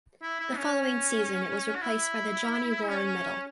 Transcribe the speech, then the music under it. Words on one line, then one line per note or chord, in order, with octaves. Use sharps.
The following season it was replaced by the Johnny Warren Medal.
E4
E4
C#4
F#4
E4
C#4